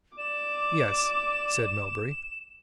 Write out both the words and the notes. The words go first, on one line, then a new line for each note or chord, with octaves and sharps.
"Yes," said Melbury.
D5 D6 E7